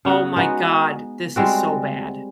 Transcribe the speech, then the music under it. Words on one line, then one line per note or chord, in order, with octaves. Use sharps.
"Oh my God, this is so bad."
C#3 B3 F#4
G#3 B3 D#4 F#4
G3 G#3 C4 F#4